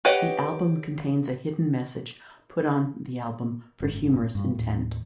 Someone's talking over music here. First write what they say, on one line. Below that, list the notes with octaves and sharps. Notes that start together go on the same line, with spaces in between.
The album contains a hidden message put on the album for humorous intent.
G4 B4 C#5 D#5 F#5
F#1 G#2 C#4
G2
D#2 A2